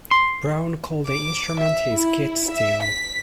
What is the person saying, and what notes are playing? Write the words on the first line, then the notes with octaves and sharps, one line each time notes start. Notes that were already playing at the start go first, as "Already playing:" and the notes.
Brown called the instrument his "guit-steel".
C6
D6
E5
E4
E5
B6